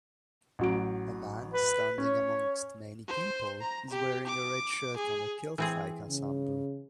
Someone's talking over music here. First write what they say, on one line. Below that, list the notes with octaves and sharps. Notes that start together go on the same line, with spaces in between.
A man, standing amongst many people, is wearing a red shirt and a kiltlike ensemble.
A1 F#3 D7
B4
C#4 C#5
C5
A#5
G4
D6
G#4
E3 C4 G#4
C#3